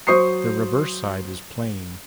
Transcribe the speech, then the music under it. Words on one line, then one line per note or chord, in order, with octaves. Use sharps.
The reverse side is plain.
F#3 C5 C#6 D#6 C7